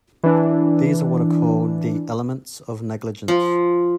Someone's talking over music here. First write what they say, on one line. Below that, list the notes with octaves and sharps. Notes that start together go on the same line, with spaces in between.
These are what are called the "elements" of negligence.
E3 D4
F3